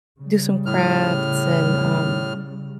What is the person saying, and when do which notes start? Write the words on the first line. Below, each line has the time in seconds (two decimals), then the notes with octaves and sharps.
do some crafts and, um,
0.19 C#3 G3
0.66 A2 F6